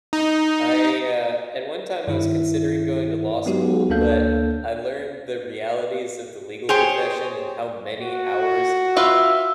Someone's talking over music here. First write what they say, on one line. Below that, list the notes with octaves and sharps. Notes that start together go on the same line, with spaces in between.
I, uh, at one time, I was considering going to law school, but I learned the realities of the legal profession and how many hours
D#4
G2 D#3 E4
F#3 G#3 B3 D#4 F#4 G4
D2 A#3 D4 A4 F5 G6
G4 G#4 C5 C#5
F#4
F4 B4 E5 F5